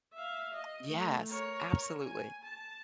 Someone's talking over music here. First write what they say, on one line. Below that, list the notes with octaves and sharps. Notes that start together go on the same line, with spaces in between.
Yes, absolutely.
E5 F5
D#5
A3
A#4 C#5
G#5
A5